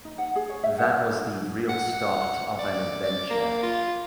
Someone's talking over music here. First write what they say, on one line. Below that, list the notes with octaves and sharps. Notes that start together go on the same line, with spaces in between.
That was the real start of an adventure.
D#4
F#5
G#4
C#5
E5
F#5
F#5
F#5
D5
D5
A#3
F4